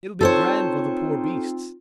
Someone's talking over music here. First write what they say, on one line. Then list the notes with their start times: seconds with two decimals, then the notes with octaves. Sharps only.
It'll be grand for the poor beasts.
0.21 C4 D#4 F4 A4 C5 C#5